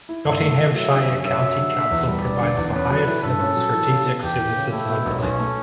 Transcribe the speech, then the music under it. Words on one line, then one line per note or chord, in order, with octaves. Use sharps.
Nottinghamshire County Council provides the highest level strategic services locally.
E4
G2 E5
A3
E3
F#3 E5
D3
F#2
F#2 E5
F#3
D3
D3
E2
G3
E1 D5
D3
E2
C#4 B4
F#3
E4
G2 A4
C#4
F#3
E3
C#3
B3
E2 G4
E3
C#3
A3 E4
B2
B1
B1 C#4
A3